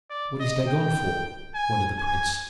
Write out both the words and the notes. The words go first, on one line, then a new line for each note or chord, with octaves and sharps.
"What is Dagon for?" wondered the prince.
D5
D#5
G5
G#5
G#5